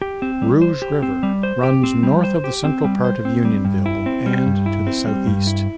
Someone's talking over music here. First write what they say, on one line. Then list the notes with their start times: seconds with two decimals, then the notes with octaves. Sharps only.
Rouge River runs north of the central part of Unionville and to the southeast.
0.02 G4
0.22 C4
0.42 G3
0.62 C5
0.82 G4
1.03 C4
1.23 G3
1.43 C5
1.63 G4
1.84 C4
2.03 G3
2.24 C5
2.44 G4
2.65 C4
2.84 G3
3.04 C5
3.25 C4
3.45 G3
3.65 G2
3.86 E4
4.06 C4
4.26 G3
4.46 G2
4.66 E4
4.87 C4
5.07 G3
5.27 G2
5.47 E4